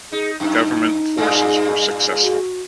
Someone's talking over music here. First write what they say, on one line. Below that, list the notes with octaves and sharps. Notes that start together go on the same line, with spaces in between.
The government forces were successful.
D#4 G#4
F#2 D#4
G2 A#2 G#3
F#4